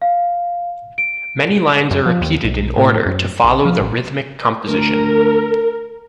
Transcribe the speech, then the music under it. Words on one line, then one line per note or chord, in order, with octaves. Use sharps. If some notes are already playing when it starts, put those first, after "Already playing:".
Many lines are repeated in order to follow the rhythmic composition.
F5
D7
F#2
F3
D#2
B1
A2
F#2
A#1
F3
A1
D2 A#4